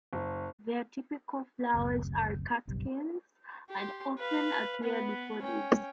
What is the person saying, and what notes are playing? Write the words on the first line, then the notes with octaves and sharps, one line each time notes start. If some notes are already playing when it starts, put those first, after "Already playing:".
Their typical flowers are catkins and often appear before leaves.
F#1
F#1 D2 C3
F#1 B1 G2
G4 C6
B4 F5
B3 B4
C#4 G5